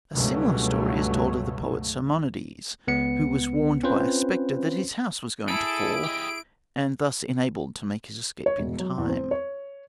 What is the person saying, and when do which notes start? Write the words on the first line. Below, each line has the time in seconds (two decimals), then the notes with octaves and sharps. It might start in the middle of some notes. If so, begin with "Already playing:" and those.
A similar story is told of the poet Simonides, who was warned by a spectre that his house was going to fall, and thus enabled to make his escape in time.
0.13 C#2 G2 B2 F#3 A3
2.87 C#2 B3 C#7
3.83 C4 C#4 F4 B4 C5
5.48 E4 G#4 A4 D7
6.04 G4 D#5
8.46 C#5
8.59 E1
8.79 F#3
8.98 E2
9.09 C4
9.31 C#5